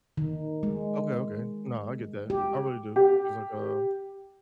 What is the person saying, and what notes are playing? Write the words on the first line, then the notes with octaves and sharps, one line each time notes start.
Okay, okay, no, I get that, I really do. It's, like, uh
D#3
G#3
G4
G4